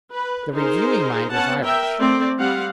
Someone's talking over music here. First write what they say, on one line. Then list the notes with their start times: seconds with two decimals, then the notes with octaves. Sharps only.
The reviewing mind was Irish.
0.11 B4
0.53 D#4 G#4 A#4 C5
1.30 B3 C#4 F#5 A5
1.64 A#4 E5 G5
1.98 A3 C4 D5
2.38 G3 C4 F5 F#5